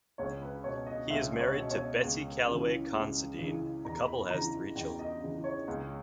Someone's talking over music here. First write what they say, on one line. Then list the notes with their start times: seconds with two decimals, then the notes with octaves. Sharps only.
He is married to Betsy Callaway Considine; the couple has three children.
0.18 C#2 C#5
0.42 B4
0.64 B2 C#5
0.86 D#5
1.10 C#2 E5
1.40 C#5
1.56 B2
1.71 C#5
2.02 C#2
2.47 C#3 E3
2.93 C#2
3.39 C#3 E3
3.84 E2 A#5
4.07 B5
4.30 C#3 E3 A#5
4.75 E2 G5
4.99 D#5
5.21 C#3 E3
5.44 C#5
5.68 C#2